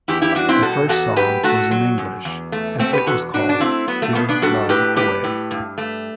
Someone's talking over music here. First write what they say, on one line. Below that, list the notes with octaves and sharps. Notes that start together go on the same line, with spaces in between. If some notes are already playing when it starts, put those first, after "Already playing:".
The first song was in English, and it was called "Give Love Away".
E2 E4 G4
E4 G4
G3 D4 F#4
C4 E4
B2 F#4 A4
E2 F#4 A4
F#2 G4 B4
A3 F#4 A4
F#3
F#2
E2
A3
B2 A3 C4
G4 B4
E2 F#4 A4
B2 D4 F#4
D4
A3 C4 E4
F#3 B3
A3
B2 B3
B3 D4
G3 F#4 A4
A2 G4 B4
G3 G4 B4
A2
G2
A3